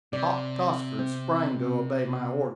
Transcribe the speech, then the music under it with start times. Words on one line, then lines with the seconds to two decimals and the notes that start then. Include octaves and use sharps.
Hop Tossford sprang to obey my order.
0.13 C3 D5
0.99 C4